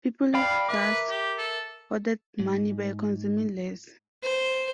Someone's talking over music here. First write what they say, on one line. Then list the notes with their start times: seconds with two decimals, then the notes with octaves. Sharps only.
People thus hoarded money by consuming less.
0.34 D5 F5 G5 B5
0.69 A#4 B4 E5 D6
1.09 G4
1.38 A4
2.40 G#2
4.23 C5